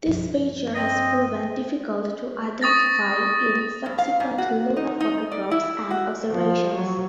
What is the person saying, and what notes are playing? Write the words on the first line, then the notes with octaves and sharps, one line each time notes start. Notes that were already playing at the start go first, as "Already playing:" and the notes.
This feature has proven difficult to identify in subsequent lunar photographs and observations.
G2 F3
C4 D#5
C#6 D#6 A6 A#6
G2
F5
G#2
F#4
D#4
D#4
D5
E4
F#4
F3
F#3